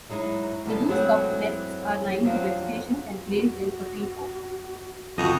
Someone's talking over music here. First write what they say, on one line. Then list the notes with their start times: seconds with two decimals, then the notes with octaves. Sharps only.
The loose cup nests are lined with vegetation and placed in a tree fork.
0.09 F#3 G#3 D#4 E4 F#4
0.66 E2 B2 D3 A4
0.88 E3 F#3 G#3 A3 C4 F#5
2.25 F3 F#3 C4 D4 F4 F#4
3.20 F#4
5.18 G1 F2 F#4 D#5 D#7